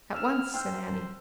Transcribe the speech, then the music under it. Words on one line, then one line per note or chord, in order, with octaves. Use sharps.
"At once," said Annie.
E6 F6 E7
C5 G5 E6 F6